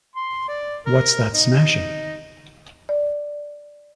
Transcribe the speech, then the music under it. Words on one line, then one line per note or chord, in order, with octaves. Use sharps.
What's that smashing?
C6
D5
A#4
D#4
D5